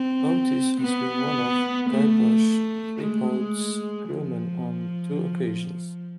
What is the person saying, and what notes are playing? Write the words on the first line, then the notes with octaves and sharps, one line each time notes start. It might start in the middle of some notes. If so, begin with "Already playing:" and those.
Otis has been one of Guybrush Threepwood's crewmen on two occasions.
Already playing: C4
B3
A3
G#3
F3